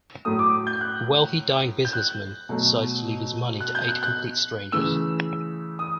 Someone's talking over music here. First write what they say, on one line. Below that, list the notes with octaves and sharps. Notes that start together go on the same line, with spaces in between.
A wealthy dying businessman decides to leave his money to eight complete strangers.
A2 F#3 A3 D#6
D6
G6
F#6
G6
F#6
B2 F#3 A3
F#6
G6
F#6
F#6
C#3 E3 A3 E6
D#6